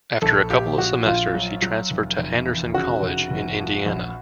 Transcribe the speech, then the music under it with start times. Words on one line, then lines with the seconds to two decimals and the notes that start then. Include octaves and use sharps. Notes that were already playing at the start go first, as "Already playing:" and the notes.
After a couple of semesters he transferred to Anderson College in Indiana.
0.22 A#1 A4
0.50 A#2 G4
0.78 A#1 F#4
1.06 A#1 F4
1.34 F#3
1.62 F#3
1.90 F1
2.18 F1
2.46 E2
2.74 C#3 F#4
3.02 F1
3.30 F1
3.59 F3
3.86 A#1